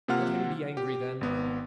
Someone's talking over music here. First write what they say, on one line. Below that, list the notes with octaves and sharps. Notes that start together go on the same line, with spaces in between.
Let him be angry then.
C3 A#3 F4 F#5 F6
G4
G#1 B3